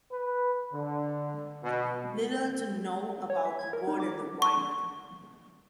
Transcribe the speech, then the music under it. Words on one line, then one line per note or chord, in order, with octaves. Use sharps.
Little is known about the bird in the wild.
B4
D3
B2
C#5
E5
G#6
A#4
D#4
D6
C#6